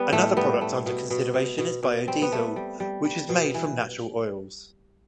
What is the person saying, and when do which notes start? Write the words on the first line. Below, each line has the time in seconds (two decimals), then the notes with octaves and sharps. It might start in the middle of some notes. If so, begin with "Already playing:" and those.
Another product under consideration is biodiesel, which is made from natural oils.
Already playing: G3 B3
0.12 A2 A3
0.37 G3 B3
0.61 A3
0.86 B2
1.10 B2
1.34 B2
1.58 B2
1.83 B2
2.08 G3 C4
2.22 B3
2.32 G3 A3
2.56 G3
2.80 G3
3.05 G3
3.29 B2
3.54 E3